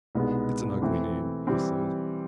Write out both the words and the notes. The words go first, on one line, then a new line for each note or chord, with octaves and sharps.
"It's an ugly name," he said.
C2 B2 G#3 B3 D#4
E3 A3 C4
E3 G3 C4